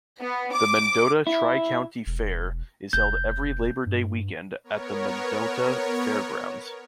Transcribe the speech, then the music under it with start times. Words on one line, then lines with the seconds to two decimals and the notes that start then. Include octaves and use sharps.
The Mendota Tri-County Fair is held every Labor Day weekend at the Mendota Fairgrounds.
0.21 B3
0.54 D6
1.27 E4
2.06 E1
2.93 F1 G6
3.86 G2
4.64 B3 A#4 C#5